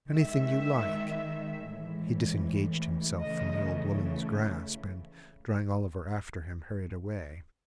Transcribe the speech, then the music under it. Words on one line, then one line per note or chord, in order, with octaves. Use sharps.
Anything you like!' He disengaged himself from the old woman's grasp; and, drawing Oliver after him, hurried away.
D#3 G#3 E5
A2 E3 G#3
C#3 E3 A3 D#5